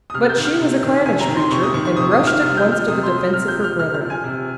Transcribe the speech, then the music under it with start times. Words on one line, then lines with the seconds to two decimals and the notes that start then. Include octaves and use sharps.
But she was a clannish creature, and rushed at once to the defence of her brother.
0.10 D#6
0.14 C3 F6
0.29 G6
0.37 D#3
0.45 F6
0.59 C3
0.83 D#3
1.05 C3 G#5
1.21 A#5
1.28 D#3
1.37 C6
1.51 C3 C#6
1.63 D#6
1.74 D#3 C#6
1.85 C#6
1.96 C3 D#6
2.11 D#6
2.19 D#3
2.27 F6
2.42 C3 F6
2.57 G6
2.66 F3
2.72 F6
2.88 C3 D#6
3.03 C6
3.11 F3
3.18 D#6
3.33 C3 F6
3.48 G6
3.57 F3
3.64 F6
3.78 C3 F6
3.94 F6
4.01 F3
4.10 G#5
4.24 C3